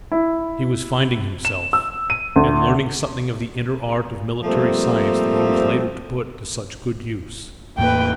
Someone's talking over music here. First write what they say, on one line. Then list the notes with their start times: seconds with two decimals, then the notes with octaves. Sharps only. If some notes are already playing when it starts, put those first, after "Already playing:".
He was finding himself, and learning something of the inner art of military science that he was later to put to such good use.
0.12 E4
1.45 E7
1.73 E6
2.10 D#7
2.36 D2
4.44 F3 G3 A3 A#3 C4
7.78 E2 A2 A#3 B4 G5